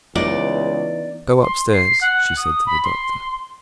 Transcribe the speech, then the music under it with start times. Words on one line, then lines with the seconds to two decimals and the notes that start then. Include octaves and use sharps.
"Go upstairs," she said to the doctor.
0.16 C#2 E3 B3 D#4 D5
1.42 C6
1.73 C7
2.01 F#5
2.37 D#6
2.66 B5
2.84 C6